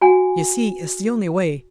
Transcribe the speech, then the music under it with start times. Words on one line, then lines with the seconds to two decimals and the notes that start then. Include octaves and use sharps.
You see it's the only way.
0.01 F#4 F#5 G#5